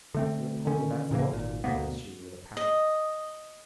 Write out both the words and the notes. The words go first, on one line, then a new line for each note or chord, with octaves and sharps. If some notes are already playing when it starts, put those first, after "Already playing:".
"You have told me that so often," says she, with a pout.
D3 A3 C4
D3 D#3 C#4
A2 C#3 E3 A#3
G#1 A#2
D2 B2 A#3 B3
D#5